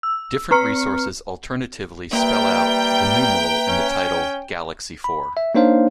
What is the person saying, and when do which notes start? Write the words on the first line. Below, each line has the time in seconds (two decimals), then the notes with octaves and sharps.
Different resources alternatively spell out the numeral in the title: "Galaxy Four".
0.03 E6
0.51 C4 B4 A#5 F6 C#7
2.13 G3 A#3 B4 E5 G5 A#5
3.68 C#4
5.04 B5
5.37 E5
5.55 A#3 D4 D#4 C5 C#5 F5